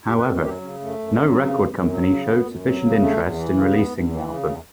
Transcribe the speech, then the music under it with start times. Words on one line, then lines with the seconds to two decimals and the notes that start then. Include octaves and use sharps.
However, no record company showed sufficient interest in releasing the album.
0.07 F#2 G4
0.18 B4
0.25 F#2 A4
0.44 F#3 G4
0.61 C#3 C#4
0.80 F#2 A3
0.99 F#2
1.16 F#3
1.35 C#3
1.52 F#2
1.71 F#2
1.89 F#3
2.07 C#3
2.25 F#2 B3
2.44 F#2
2.62 F#3
2.80 C#3
2.99 E2 A3
3.17 E2
3.35 E3
3.53 C#3
3.71 E2 B3
3.89 E2
4.08 E3
4.26 C#3
4.44 E2 A3